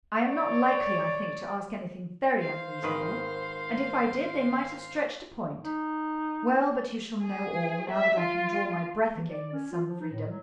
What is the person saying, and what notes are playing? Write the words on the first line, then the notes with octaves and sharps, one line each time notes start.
I am not likely, I think, to ask anything very unreasonable, and if I did, they might have stretched a point. Well, but you shall know all, now that I can draw my breath again with some freedom.
C#5 D5
C5 F5
G#1 D#3 B4
D#4
G#4
E5
F4
E3
D5
C#4
F4
F3
D#4
A2
F#3